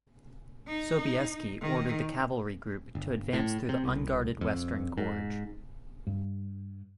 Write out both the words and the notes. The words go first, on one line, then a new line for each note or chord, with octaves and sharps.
Sobieski ordered the cavalry group to advance through the unguarded western gorge.
D#4
D#3
G1
A2
C3
C2
F2
G#2
G2